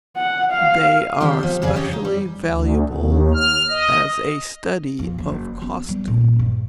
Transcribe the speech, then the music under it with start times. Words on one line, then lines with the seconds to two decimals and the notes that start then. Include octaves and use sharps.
They are specially valuable as a study of costume.
0.17 F#5
0.53 F5
1.20 D#3 C4 D4 G4
1.43 F3
1.62 F2 C#3 G#4 D5 G#5
1.76 C#4 G4 D#5
1.93 D#4
2.05 G3
2.47 D2
2.94 D#2
3.34 F6
3.70 D#5
4.99 F2 B2
5.18 F#1
5.62 B3 C#4
5.89 G3 B3
6.08 A#2
6.39 G2